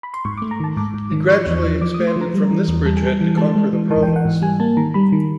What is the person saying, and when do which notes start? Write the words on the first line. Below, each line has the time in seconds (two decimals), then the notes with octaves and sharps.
He gradually expanded from this bridgehead to conquer the province.
0.03 B5
0.14 C6
0.25 G#2 C#6
0.38 A3 D6
0.51 A#5
0.60 D#3 A5
0.77 G#2 D6
0.94 G#2
1.12 D#3
1.29 F3 C#6
1.46 E2
1.64 F3
1.81 F3 D6
1.94 A3 D#6
2.07 C6
2.16 F3 A#5
2.34 G3
2.51 E3
2.68 E2
2.86 G3 A5
2.97 G#5
3.04 G3 A5
3.21 E3
3.37 G#3 A5
3.55 G#3
3.73 E3
3.90 E3 A5
4.03 E3 G5
4.16 F#5
4.25 G#2
4.42 G3 G#5
4.60 A#3 A5
4.77 D#3 A#5
4.94 G3 B5
5.12 D#3